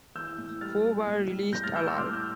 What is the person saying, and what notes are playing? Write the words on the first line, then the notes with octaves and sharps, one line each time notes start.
Four were released alive.
E3 E6 G6
A2
G3 F6 A6
A2
A2
G3
A2 G6 A#6
F6 A6
G3 E6 G6
C6 E6
A2 D6 F6
E6 G6